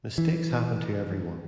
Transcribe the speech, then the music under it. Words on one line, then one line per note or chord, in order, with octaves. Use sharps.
Mistakes happen to everyone.
E3